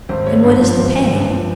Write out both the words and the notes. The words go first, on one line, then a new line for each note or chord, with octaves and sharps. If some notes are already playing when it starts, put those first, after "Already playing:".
"And what is the pay?"
G#1 C5
G#3 C#5
G2 C5
F3 C5
G#1
G#3
G2
F3